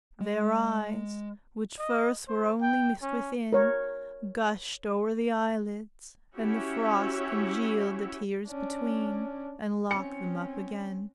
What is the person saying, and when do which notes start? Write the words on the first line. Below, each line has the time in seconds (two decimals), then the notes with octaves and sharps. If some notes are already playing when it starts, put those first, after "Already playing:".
Their eyes, which first were only moist within, Gushed o'er the eyelids, and the frost congealed The tears between, and locked them up again.
0.21 G#3
1.79 D#5
2.28 C5
2.62 G5
3.02 C#4
3.52 A#4 C#5
6.36 C#4 E4 F#4 G4 C#5 E5
8.47 C#4 D4
9.91 C4 C#4 C#7